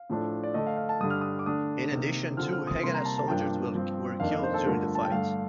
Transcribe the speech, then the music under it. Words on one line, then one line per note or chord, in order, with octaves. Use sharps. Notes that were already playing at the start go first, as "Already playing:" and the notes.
In addition two Haganah soldiers were killed during the fight.
Already playing: F5
A2 F3 A3 D4
D5
D3 A3 D4 D#5
F5
F5
A5
G2 D3 G3 D4 D#6
F6
D#6
D6
D3 A3 D4 D#6
C3 D#3 A#3
D3 F3 C4 F6
F6
D#6
C3 G3 A#3 C6
A#5
A5
A5
G2 F3 A#3 D4 G5
G2 F3 C4
F2 D#3 A#3 D4 F5
D#5
C5
A4
G2 D3 F3 A3 A#4
A5
G5
G2 D3 A3 F5